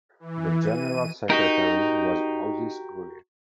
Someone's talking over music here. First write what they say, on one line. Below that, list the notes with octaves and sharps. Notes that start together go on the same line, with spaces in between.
The general secretary was Moses Guria.
E3
D#7
D#4 F#4 G4 A#4